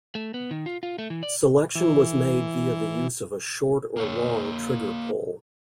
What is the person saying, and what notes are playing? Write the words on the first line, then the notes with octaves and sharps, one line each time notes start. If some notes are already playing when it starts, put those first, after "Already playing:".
Selection was made via the use of a short or long trigger pull.
A3
B3
D#3
F4
F4
A3
E3
D5
E3
A#3 C#5